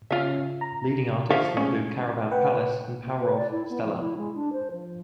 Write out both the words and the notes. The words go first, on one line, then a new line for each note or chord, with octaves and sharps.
Leading artists include Caravan Palace and Parov Stelar.
C#3 C#4 F4 E5
A#5
F3 E5 C#6
G#3 C#4
B4 F#5 G5
A#3
B4
D5
E4
B3
F3
E4
G#3
D4
C5
F3